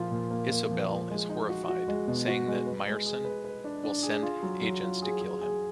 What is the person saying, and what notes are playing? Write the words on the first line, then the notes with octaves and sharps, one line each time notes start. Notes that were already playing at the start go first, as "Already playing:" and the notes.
Isobel is horrified, saying that Myerson will send agents to kill him.
Already playing: A#2 F3 F4
A#2
A#3
A#3
F3
F4
G#3
D#4
F#4
F#4
G#3
B2
F#4
G#3
B4
G#3
G#4
B4
B4
D4
D4
G#4
F4
F#3
F#3
F4
G#4
G#4
G#4